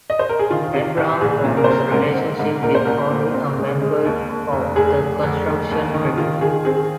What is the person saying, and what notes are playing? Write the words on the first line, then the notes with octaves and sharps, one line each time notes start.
Abraham forms a relationship with Holly, a member of the construction crew.
D#5
C5
A#4
G#4
D#3 F4
C3
C2
A#1 G#4
A#2
A#4
C5
C4 A#4
G#2 A#4
C4
G#2
A#2 A#4
C5
C2 A#4
A#2
C4
G#3
G#3
D#2
D#2
F1
F1 G#4
F1
F1
D#2
D#2
D#3
D#3 F4
D#3 G#4
C4 G#4